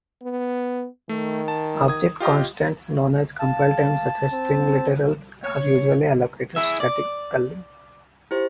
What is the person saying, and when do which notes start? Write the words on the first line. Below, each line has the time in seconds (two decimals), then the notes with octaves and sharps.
Object constants known at compile-time, such as string literals, are usually allocated statically.
0.22 B3
1.09 D#3 A3
1.48 A5
1.88 D#6 G#6
2.20 F4 G4 D#5
3.39 F5 A5
4.32 C4
5.43 C#5
6.56 E4 G#4 E5
6.80 D5
8.31 E4 G4 C5